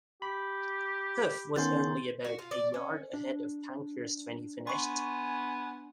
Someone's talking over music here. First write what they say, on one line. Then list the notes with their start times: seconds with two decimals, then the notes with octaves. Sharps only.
Huff was only about a yard ahead of Pankhurst when he finished.
0.22 G4 B5
1.56 D#3 B3 C#4 C6 G6 A6
2.25 F#4
2.39 F4
2.51 D5
2.74 C#4
3.14 D4
4.67 B3 G#5 C6 C#6